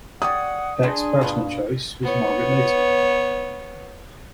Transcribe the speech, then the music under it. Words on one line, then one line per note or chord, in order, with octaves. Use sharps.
Peck's personal choice was Margaret Leighton.
G4 C#5 D5 F#5 D#6
D4 G#4 A5 B5 C6
G2 B2 F4
B3 C#5